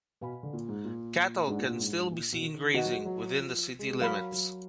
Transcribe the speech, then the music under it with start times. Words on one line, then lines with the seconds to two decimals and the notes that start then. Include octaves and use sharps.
Cattle can still be seen grazing within the city limits.
0.21 B2 B4 F5 G#5 B5
0.43 D3
0.53 A#2
0.69 G#2
0.85 A#2
1.47 G#2 D4 G#4 B4 D5 F#5
1.59 A#2
1.69 A#2
1.79 G#2
2.11 A#2
2.32 B2
2.43 D#3
2.74 D#3 F#4 B4 D#5 F#5
2.85 F#3
2.95 G#3
3.05 F#3
3.37 F3
3.79 G#3
3.90 G#3
4.00 F#3 A#4 F5 B5
4.32 F#3